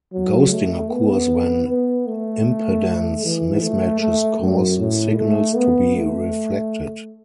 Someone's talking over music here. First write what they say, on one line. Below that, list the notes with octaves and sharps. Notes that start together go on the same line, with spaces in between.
Ghosting occurs when impedance mismatches cause signals to be reflected.
F#3
A3
B3
B3
A3
E3
A3
A3
F#2
A2
A3
B3
A3